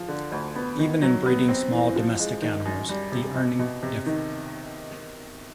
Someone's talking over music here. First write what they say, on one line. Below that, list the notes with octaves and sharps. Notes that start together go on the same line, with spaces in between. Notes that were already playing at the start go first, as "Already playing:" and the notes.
Even in breeding small domestic animals, the earning differ.
Already playing: F3
D3
D2
B3
D#3
F#3
B3
C4
E3
F3
G#3
D#3
F#2
G3
C3
B2
B2
C3
D#3